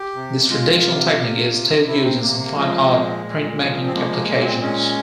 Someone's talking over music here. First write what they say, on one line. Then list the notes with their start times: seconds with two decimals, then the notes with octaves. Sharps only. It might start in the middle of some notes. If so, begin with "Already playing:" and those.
This traditional technique is still used in some fine art printmaking applications.
Already playing: G4
0.15 C3
0.49 G#3 F4
0.84 C3
1.18 C3
1.53 C3
1.87 C3 E4
2.04 C4
2.21 C3 A#3
2.38 A#3
2.56 F3 G#3
2.91 A#2
3.24 A#2
3.59 F3
3.86 C4
3.94 G#3 A#3
4.10 A#3
4.28 A#2 A#3
4.44 C4
4.61 G#3 C#4